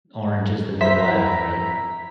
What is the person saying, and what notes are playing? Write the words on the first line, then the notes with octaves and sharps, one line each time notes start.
Orange Is the New Black, right?
B4 C5 E5 A#5 B6
E4